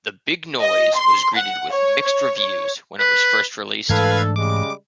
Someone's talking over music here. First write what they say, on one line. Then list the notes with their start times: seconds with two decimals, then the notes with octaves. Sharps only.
"The Big Noise" was greeted with mixed reviews when it was first released.
0.61 D#5
0.95 C6
1.36 F#5
1.71 C#5
2.03 C#5
2.38 C#5
2.99 B4
3.89 G#2 E3 A3 D4 A4 B4 F5 G#6
4.36 C#3 G3 G#3 D6